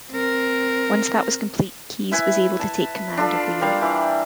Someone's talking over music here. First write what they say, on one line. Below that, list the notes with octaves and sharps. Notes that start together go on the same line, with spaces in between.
Once that was complete Keyes was able to take command of the unit.
C4 A#4
E4 B4 G#5
A5
D4 F4 A4
G3 A#4 F5
E3